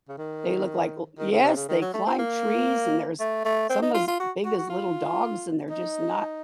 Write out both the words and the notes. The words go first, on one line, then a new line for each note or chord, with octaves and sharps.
they look like l yes, they climb trees and there's some as big as little dogs and they're just not
C#3
D#3
D#3
C#3
C3
C#3
D#3
F#3
A3
C4
A#3
A3
A3
C4
D#4
F4
F4
F#4
F#4
F#4
F4
D#4